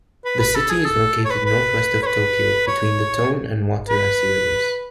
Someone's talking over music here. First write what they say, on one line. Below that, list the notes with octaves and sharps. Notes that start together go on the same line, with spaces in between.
The city is located northwest of Tokyo between the Tone and Watarase rivers.
B4
B4
A4
G#4
A4
C#5
B4
B4
C#5
B4
C#5
B4